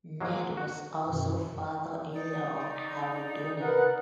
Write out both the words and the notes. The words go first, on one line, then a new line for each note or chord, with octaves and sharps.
Ned was also father-in-law of Harry Donnan.
F#3 G#3 A#3
F#4
F#2 B2 D#3
D#4 D5
A#4 B4 F#5